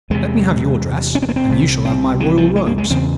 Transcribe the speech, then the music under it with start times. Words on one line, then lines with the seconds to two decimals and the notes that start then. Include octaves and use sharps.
Let me have your dress, and you shall have my royal robes.'
0.10 E2 C3 G#3
1.15 C#4
1.22 C4
1.29 A#3
1.36 C4
1.49 C2 C3
1.85 C4
2.20 E3
2.37 F3
2.56 G#3
2.66 A#3
2.78 G#3
2.91 E2 C#3 C4